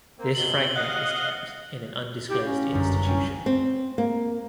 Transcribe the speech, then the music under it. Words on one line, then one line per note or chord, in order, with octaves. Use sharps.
This fragment is kept in an undisclosed institution.
A#3 C4
F#2 B2 F#3 F#7 G7
C4
D#5 F5 F#5 F#6
E4 F#4 G4 F5
C#4
G1 C2 F#2
C#4 G5 G#5
C4
A#3